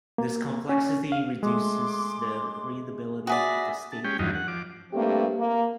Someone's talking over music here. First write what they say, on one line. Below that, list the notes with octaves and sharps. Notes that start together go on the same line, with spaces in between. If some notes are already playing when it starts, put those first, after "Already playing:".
This complexity reduces the readability of the state diagram.
A#3
C#4
F5
G#3 A3 C6 D6
F#4 G#4 D5 E5 B5 D#6
A5
G#3 C#4 G4 G5
E2 G2 F3 F#3 D#4
F#5
F3 D6
G2 A3 A#3 C4 G4
A#3